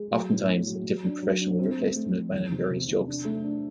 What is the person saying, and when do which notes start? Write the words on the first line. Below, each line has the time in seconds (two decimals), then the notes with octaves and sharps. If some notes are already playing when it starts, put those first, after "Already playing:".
Oftentimes, a different profession will replace the milkman in various jokes.
Already playing: G#3
0.11 F#3
0.30 A2
0.48 A2
0.67 F#3
0.85 F#3
1.04 D4
1.22 F#3
1.40 D4
1.59 C4
1.78 A3
1.96 A3
2.15 F3
2.33 E2
2.52 C3
2.70 C3
2.88 C3
3.07 D4
3.25 A3
3.43 D4